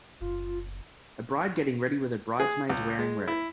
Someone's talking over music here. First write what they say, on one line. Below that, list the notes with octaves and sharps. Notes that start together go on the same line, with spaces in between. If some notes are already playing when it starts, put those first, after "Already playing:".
A bride getting ready with her bridesmaids wearing red.
F#1 D2 F4
G#4
C#2
G#3
E4